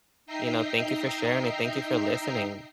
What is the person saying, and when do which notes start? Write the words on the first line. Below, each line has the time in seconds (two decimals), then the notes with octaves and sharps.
you know, thank you for sharing it. Thank you for listening
0.26 D#4 D#5 E5 G5 A#5 C7